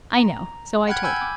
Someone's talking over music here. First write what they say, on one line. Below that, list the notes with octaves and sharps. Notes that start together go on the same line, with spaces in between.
I know; so I told him.
A#5
F#5 G5 B5 F6 F#6 G#6
G#5 B5 E6 G6 G#6
D6